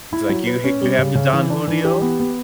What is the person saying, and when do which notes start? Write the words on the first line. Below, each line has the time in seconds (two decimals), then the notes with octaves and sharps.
He's like, you hate you have the Don Julio?
0.13 E4
0.29 F#3
0.47 B4
0.64 C#4
0.81 G3
0.99 C#3
1.15 C#3
1.33 E3
1.50 D4
1.68 E3
1.84 G4
2.02 B3
2.20 B3